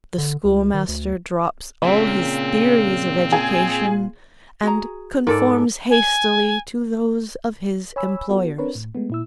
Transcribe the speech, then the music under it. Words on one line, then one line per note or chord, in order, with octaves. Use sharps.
The schoolmaster drops all his theories of education and conforms hastily to those of his employers.
D3
C#2
D#3
D2
A#2 C#3 C4
G#4
F#4 G#4 A#5
G#2 A4 A#4 D5
G#5
C#5 G#5 B5 E6
B3 F4 F#4 A4
C4 D4 A#4 B4 C#5
A2
G#3 A3 B3
A#2 E4 E6